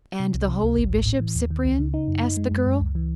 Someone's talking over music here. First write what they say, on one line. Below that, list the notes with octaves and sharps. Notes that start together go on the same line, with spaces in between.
"And the holy Bishop Cyprian?" asked the girl.
C3
C2
C3
C#2
G#1
G#2
A2
E3
D#2
D#3
C#2
C#3
D#4
F#2
D#4
G#3
F#2
F#2
C#2
E3